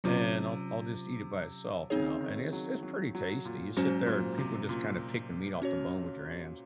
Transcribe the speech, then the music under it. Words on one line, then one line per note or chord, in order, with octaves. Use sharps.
and I'll I'll just eat it by itself, you know? And it's it's pretty tasty, you sit there and people just kinda pick the meat off the bone with your hands.
C3 F#3 C#4 F4
C#3 C4 D#4 G#4 C#5
D#3
F#3
F#3
F#3
A#2
G#2 F#3 C#4 F#4 C5
A#2
C3
A#2
C#4 F#4 C#5